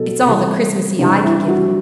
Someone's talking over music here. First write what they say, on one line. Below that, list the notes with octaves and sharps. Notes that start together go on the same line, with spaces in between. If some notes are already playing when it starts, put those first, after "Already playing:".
It's all the 'Christmassy' I could give them.
Already playing: B2 F#3 A4
C3 E3 G3
C3 E3 G3 D4
E4
F#4